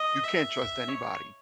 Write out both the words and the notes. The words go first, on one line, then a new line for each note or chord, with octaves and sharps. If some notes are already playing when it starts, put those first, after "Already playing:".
you can't trust anybody,
Already playing: D#5
E5
C#5